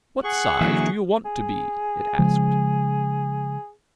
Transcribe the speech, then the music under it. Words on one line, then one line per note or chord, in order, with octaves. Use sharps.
'What size do you want to be?' it asked.
G#4 F#5 C#6
D3 E3 F#3 A#3 E5
G#4
C#3 F3 G#3